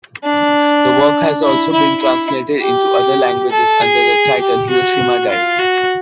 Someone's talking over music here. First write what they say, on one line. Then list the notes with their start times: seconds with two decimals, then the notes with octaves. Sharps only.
The work has also been translated into other languages under the title “Hiroshima Diary”.
0.24 D4
1.43 E4
1.72 E4
2.02 E4
2.61 G4
3.51 A4
3.81 G#4
4.40 G4
4.69 F#4
5.29 F4
5.59 F#4